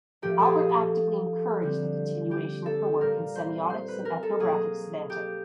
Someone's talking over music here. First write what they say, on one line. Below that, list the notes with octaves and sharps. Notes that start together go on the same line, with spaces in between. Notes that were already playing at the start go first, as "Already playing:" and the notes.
Albert actively encouraged the continuation of her work in semiotics and ethnographic semantics.
A#2 F3 A3 G4
A4
G#4
A4
D3 G3 C4
G4
A4
A#2 G3 C4 A#4
C5
C5
B4
A#4
A4
B2 F#3 A#3 G#4
G4